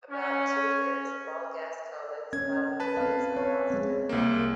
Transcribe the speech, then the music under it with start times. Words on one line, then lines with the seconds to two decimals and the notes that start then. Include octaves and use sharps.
About two thirds of all guest comments about employees are positive.
0.10 C#4
2.33 C#4 G#6
2.80 B4 A5
2.97 C4 F5
3.36 C#5
3.70 G#3 C4
4.09 C2 A#3